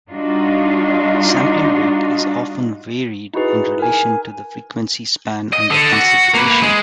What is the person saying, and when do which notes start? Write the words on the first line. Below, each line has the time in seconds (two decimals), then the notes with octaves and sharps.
Sampling rate is often varied in relation to the frequency span under consideration.
0.11 G3 D4 D#4 F4 F#4
3.34 D#4 E4 F#4 G#4 B4
3.79 A#4 G#5
5.53 D#5
5.71 D3
5.92 F#4
6.35 A#3 B4
6.62 G#3